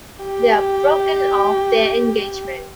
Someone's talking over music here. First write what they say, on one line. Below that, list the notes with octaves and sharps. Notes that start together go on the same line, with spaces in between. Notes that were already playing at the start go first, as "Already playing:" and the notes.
They've broken off their engagement.
G4 G5